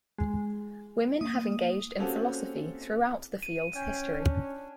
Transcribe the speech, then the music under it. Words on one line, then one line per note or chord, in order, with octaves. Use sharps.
Women have engaged in philosophy throughout the field's history.
G#3
A#3 D#6
A#3 C4 C#4 F#4 G4 A4
D#7
C#4 G5 G#5
D4